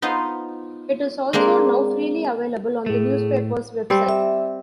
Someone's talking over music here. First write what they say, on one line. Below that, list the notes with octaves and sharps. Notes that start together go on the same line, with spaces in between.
It is also now freely available on the newspaper's website.
B3 D#4 F4 C5
G#3 A#3 C4 D4
A2 A3 G#4
G3 C4 C5
E5